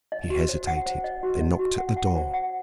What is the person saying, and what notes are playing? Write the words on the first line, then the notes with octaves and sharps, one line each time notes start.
He hesitated, then knocked at the door.
D#5
F#4
C5
F#5
C5
D#5
F#4
D#5
F#4
F#5
F#5
C5
F#5